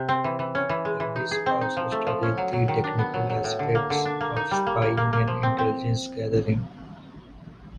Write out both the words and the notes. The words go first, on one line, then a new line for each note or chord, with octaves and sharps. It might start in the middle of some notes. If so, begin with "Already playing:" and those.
Abbes also studied the technical aspects of spying and intelligence gathering.
Already playing: C3
C4
E3
E3
C#4
E3
G#3
E3
D#4
G#4
C4
D#4
F3
A3
F3
C#4
F#3
F#3
D#3
D4
B3
F#3
F#3
A2
D3
A#3
D3
D4
A#3
D#4
G3
A#3
A#3
A#3
A#3
F3
C4
C4